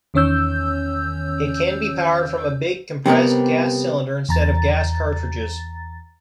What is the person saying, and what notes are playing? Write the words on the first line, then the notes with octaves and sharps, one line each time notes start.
It can be powered from a big compressed gas cylinder instead of gas cartridges.
E2 D#3 C#4 C#5 E6 G6
C3 G3 B3 A#4
E2 A#5 A6